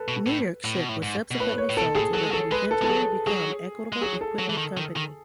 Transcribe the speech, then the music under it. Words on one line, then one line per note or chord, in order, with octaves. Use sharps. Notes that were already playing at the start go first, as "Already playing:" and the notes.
New York Ship was subsequently sold to what would eventually become Equitable Equipment Company.
Already playing: A4 B4
B2
A2
A2
B2
A2
G#2
B2
A2 B4
C#5
A2
B2 A4
A2 G#4
F#3 A4
G#3
F#3 A4
G#3 B4
A4
G#3 A4
F#3 G#4
F#3 G#4
G#3
F#3 G#4
A4
F#3
E3
D#3
D#3
D#3